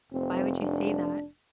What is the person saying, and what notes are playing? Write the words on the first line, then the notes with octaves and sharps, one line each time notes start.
Why would you say that?"
F1 C4
D4